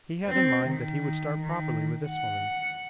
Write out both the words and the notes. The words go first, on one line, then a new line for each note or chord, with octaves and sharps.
He had in mind that he would start properly with this woman.
C4
D#3
D#3
F#5